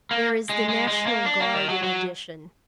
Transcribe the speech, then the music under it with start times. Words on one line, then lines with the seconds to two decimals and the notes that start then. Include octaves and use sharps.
There is the National Guard in addition.
0.11 A#3
0.49 G#3
0.69 G#3
0.88 G#3
1.06 A#3
1.26 D4
1.40 A#3
1.54 D#3
1.70 F#3
1.83 F#3